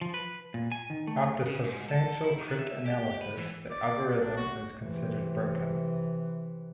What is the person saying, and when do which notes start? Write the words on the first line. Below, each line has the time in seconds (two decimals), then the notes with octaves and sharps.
After substantial cryptanalysis, the algorithm is considered broken.
0.01 F3
0.14 B4
0.54 A#2
0.72 G#5
0.90 D#3
1.07 A3
1.46 C#3
1.64 G#2
1.89 A4
2.24 E4
2.38 D#3
2.59 E5
2.86 G4
3.21 B4
3.37 E3
3.71 D5
4.20 D4
4.37 F#4
4.83 C3 E3